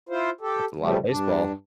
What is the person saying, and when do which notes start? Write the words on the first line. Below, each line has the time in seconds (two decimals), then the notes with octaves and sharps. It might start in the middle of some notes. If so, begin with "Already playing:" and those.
That's a lotta baseball.
0.09 E4 F4 C5
0.41 G4 A4
0.80 C#3 F3 G3 A3
1.08 G2 D4